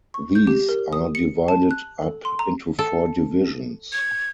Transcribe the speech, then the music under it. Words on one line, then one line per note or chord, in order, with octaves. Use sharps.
These are divided up into four divisions.
C#6
G6
G4
A#4
D#6
C#7
A5
F#6
A4
C6
A#5
A4
G#6